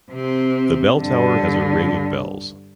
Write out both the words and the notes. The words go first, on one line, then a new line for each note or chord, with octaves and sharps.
The bell tower has a ring of bells.
C3 C4
G2 D3